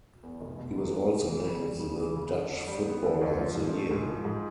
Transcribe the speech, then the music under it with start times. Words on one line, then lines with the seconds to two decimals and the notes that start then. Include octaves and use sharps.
He was also named the Dutch Footballer of the Year.
0.23 E2
0.41 F1
0.58 B2
0.76 F#3
0.92 E2
1.10 F1
1.27 E3
1.46 C#3
1.62 G3
1.80 C#3
1.98 E3
2.16 C#3
2.32 D3
2.51 F2
2.67 G3
2.85 B3
3.03 D3
3.21 F2
3.37 F3
3.56 G#2
3.73 A3
3.91 G#2
4.09 F3
4.25 G#2